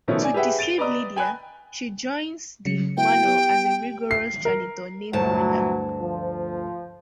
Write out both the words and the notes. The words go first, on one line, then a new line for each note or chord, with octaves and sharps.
To deceive Lidia, she joins the manor as a "rigorous" janitor named Greta.
B2 D#3 F3 A3 B3 C#4
D5 G#5
G4 G#4 B4 E5 F#5 G5
A6 D7 D#7 F7 G7
B4 D5 D#5 A#5 D#6
G5 G#5 B5 F#6
C#3 F#3 C#7
B3 E4 F#4 G5
B3 G4
C7
A#4
D2 G2 A#2 E3 F#3 A5
F3